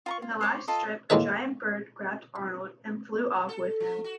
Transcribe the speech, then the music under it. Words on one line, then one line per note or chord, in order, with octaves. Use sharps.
In the last strip, a giant bird grabbed Arnold and flew off with him.
F4 A#5 C#6
F4
C5 C#5 D6
F4 A4 D#5
A2 G#3 A#3 D#4 B4 E5
A4
F3
F#4